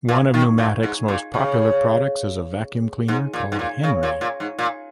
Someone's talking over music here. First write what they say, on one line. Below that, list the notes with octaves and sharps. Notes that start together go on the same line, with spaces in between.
One of Numatic's most popular products is a vacuum cleaner called Henry.
A#2
D#3
A#2
G#2
A#2
C#3
G#2
A#2
G#2
A#2
C#3
A#2
A#2
G#2
A#2